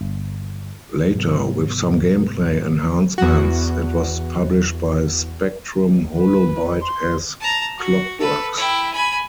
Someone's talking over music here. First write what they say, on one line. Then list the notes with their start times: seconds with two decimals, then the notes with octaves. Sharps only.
Later, with some game play enhancements, it was published by Spectrum HoloByte as "Clockwerx".
0.01 G1
1.14 G#2 C3 F#3 B3
3.18 E2 F#4
6.17 B4
6.80 C6
7.40 A5 A#5
7.78 F#4
8.20 A4 B4
8.56 E4 G5
8.93 G#5 B5